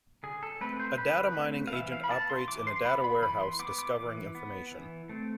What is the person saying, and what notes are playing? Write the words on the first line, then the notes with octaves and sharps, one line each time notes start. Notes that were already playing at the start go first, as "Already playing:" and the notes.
A data mining agent operates in a data warehouse discovering information.
D3 G#4
A4
A3 C4 B4
C5
D3 B4
A3 C4
F5
E3 E5
F5
B5
B3 A5
C6
E3 D6
C6
B3 B5
B5
E3 B5
C6
B3 D6
D6
E3
B3
E3
A3 C4